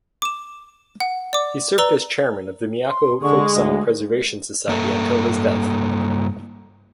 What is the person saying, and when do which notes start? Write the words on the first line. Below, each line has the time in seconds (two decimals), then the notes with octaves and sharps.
He served as chairman of the Miyako Folk Song Preservation Society until his death.
0.22 D6 E7
1.00 F#5
1.33 D5 D6
1.78 B4 D5 A#5 E6 G7
2.89 C6
3.23 D3 G#3 C#6
3.55 D2 D#5
4.69 G2 A#3 A4